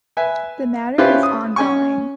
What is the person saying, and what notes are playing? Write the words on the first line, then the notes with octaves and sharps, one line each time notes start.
The matter is ongoing.
B4 E5 G#5
C#4 E4 F4 G4 B4 C5
D#6
C#4 G#5 C#6